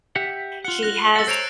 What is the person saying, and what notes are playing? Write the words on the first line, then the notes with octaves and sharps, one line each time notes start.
She has
G4 E5 F#5
F4 F#5 F#6 F#7 G7
F#6 A#6
A4 F#5 E6 A6
C5 C#5 A#5 C7 D7 E7